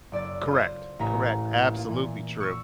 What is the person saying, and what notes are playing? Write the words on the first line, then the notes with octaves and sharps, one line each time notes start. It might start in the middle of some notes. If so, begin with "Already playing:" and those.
Correct, correct, absolutely true.
F#1 D5 E6 A6
F4 C5
A1 A3 E4 A#4 A#5 B6
A#3 F4
A#2 E3
C#6 E6